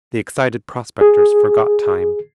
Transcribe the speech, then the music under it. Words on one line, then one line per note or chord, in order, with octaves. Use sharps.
The excited prospectors forgot time.
G#4